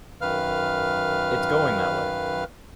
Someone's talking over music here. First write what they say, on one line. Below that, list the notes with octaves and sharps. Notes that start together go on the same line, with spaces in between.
It's going that way.
F#2 D#3 B4 F5 F6